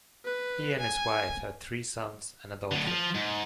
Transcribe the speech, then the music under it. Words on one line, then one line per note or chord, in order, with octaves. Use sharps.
He and his wife have three sons and a daughter.
B4
G#5
A2 D3
F3
G#2